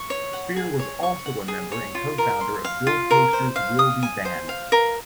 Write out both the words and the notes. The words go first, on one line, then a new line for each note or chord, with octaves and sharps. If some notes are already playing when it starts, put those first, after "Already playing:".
Spear was also a member and co-founder of Bill Posters Will Be Band.
Already playing: C#6
C#5
F#5
G#4
C#5
C#6
F#5
G#4
C#5
F4
A#4
C6
F5
F4
A#4
C5
F5
D#6
G#5
C5
F5
A#4